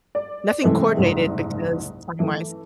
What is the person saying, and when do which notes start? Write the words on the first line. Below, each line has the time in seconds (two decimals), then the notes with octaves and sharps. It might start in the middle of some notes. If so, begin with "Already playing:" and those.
nothing coordinated because timewise
0.15 D5
0.63 C3 E3 G#3 A3
0.97 F#1 C2 G#2
2.19 E3 A3